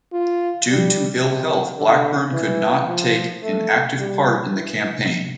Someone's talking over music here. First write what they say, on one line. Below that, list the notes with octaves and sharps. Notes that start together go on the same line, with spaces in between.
Due to ill health, Blackburn could not take an active part in the campaign.
F4
G3
C3
D3
E3
F3
A3
G3
E3